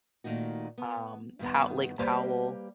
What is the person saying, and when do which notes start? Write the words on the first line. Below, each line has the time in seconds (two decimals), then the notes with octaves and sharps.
um, Po Lake Powell,
0.24 A#2 D#3 A3 D#4 F#4
0.78 B3
1.39 G2 D#3 B3
1.99 G3 A#3 G4 B4 C5 F5